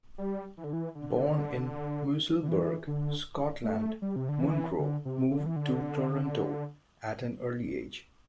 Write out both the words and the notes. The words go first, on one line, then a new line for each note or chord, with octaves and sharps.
Born in Musselburgh, Scotland, Munro moved to Toronto at an early age.
G3
E3
D3
E3
D3
D3
E3
D3
A3
G3
C3
D3
E3
D3
C3
D3
E3
D3